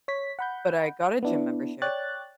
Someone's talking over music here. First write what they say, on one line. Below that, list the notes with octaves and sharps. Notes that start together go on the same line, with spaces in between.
But I got a gym membership.
C#5 B6
F#5 B5 G6
B3 D4 E4
C#5 D5 G5 F#6 A6